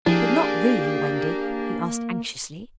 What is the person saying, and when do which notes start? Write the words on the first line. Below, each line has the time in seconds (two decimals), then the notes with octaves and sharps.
'But not really, Wendy?' he asked anxiously.
0.06 F3 A#3 D4 E4 G4 G#4